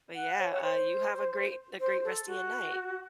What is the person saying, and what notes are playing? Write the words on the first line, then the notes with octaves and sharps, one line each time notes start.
But, yeah, uh, you have a great a great rest a your night.
F#5
C#5
C#5
C5
C5
A4
F#4